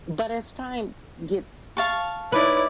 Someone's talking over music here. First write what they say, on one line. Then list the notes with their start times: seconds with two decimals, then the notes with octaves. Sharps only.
but as time gets
1.77 F5 A5 C#6
2.32 D#4 E4 B4 C#5 D5